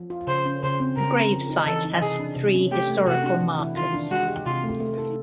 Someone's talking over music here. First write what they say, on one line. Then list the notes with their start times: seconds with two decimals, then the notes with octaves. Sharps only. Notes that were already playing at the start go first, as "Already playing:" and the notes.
The gravesite has three historical markers.
Already playing: F3
0.10 F4
0.27 C#3 C5
0.46 C#4
0.62 C#3 C5
0.80 C4
0.97 C#3 A#4
1.15 C4
1.32 F3
1.49 D#4
1.67 E3 A4
1.85 D#4
2.01 C3 G#4
2.20 D4
2.36 C3
2.55 C#4
2.71 A3 G4
2.90 A3
3.07 C3 F#4
3.24 D4
3.41 E3
3.59 E4
3.76 D#3 F4
3.94 D4
4.11 G#3 F#4
4.28 G4
4.46 C3 F4
4.64 A3
4.80 A3
4.98 A4